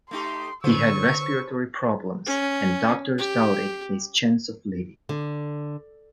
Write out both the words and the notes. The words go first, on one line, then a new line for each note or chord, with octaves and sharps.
He had respiratory problems and doctors doubted his chance of living.
A3 D#4 G4 C6
D3 C#4 B4 C5 C#6 E6
C#4
G4
D3